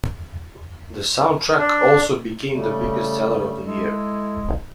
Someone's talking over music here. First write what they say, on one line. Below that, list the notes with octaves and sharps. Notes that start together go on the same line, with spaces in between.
The soundtrack also became the biggest seller of the year.
D4
C#3 G3 A3
G#3 E4 A4